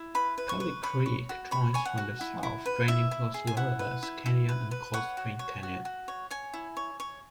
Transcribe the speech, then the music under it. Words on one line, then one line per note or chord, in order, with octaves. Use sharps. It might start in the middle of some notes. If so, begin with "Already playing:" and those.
Kelly Creek joins from the south, draining Los Laureles Canyon and Cold Spring Canyon.
Already playing: E4
B4 B5
B4
C#6
B4
C#5 B5
C#5
F#4
C#5 B5
C#5 G#5
F#5
F#4
E4
E4
B4
E4 E5
E4
G#4
G#5
E4 F#5
B4
E4
E4
B4
B4
C#5 F#5
F#4
C#5
F#4
F#4
C#5
C#5 G#5
E4
C#5
C#5